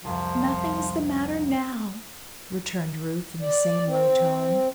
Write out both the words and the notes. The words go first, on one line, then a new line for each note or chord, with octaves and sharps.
"Nothing is the matter now," returned Ruth, in the same low tone.
C2 F2 F3
D5
C4